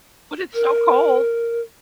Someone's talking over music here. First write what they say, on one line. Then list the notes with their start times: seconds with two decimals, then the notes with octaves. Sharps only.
when it's so cold.
0.54 A#4